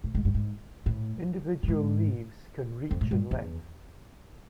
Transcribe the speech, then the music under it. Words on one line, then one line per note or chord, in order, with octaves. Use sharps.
Individual leaves can reach in length.
A2
G#2
G2
G#2
A2
A2
G#2
F2
A2
G2
E2